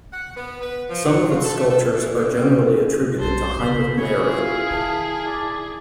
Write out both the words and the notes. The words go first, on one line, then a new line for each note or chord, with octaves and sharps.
Some of its sculptures are generally attributed to Heinrich Meyring.
F#5
B3
B4
F3
F#3
F4
A4
A3
A4
E3
D3
G3
B1 G#2 C5 A5
C#3 B5
E4 F#4 G#4 C#5
F4 F5
D#3 A5
D5